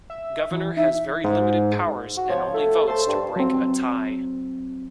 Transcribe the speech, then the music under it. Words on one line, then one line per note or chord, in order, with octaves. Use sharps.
Governor has very limited powers and only votes to break a tie.
E5
E3
D#4 E5
G#2
F#4
F3 C#5
A3
A3 C5 A5
G2
F#3 C4